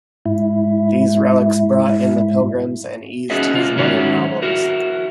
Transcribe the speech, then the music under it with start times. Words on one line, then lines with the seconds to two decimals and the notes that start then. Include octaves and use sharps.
These relics brought in the pilgrims and eased his money problems.
0.25 G#2 E4
3.30 C#4 F#4 G#4 D#5 E5
3.54 C3 F4
3.76 G#2 D#3 F#3 C#4 E4 F#4
4.42 E4 F#4 A#4